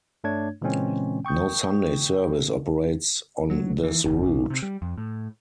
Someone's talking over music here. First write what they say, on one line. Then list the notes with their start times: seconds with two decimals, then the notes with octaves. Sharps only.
No Sunday service operates on this route.
0.24 G2 A3 D4 C#5 G#6
0.62 A#2 C#3 E3 G#3 C4 C#4
1.25 G5 C#6 D#6 G6
3.50 F#3
3.84 E3
4.05 F#1
4.23 B1
4.50 C3
4.62 G3
4.82 F2
4.98 A2